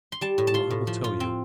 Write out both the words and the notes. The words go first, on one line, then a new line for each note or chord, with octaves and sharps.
Well, I will tell you.
C6
G3 A5
A2
A5
F4 C6
A2
F3
F4
C4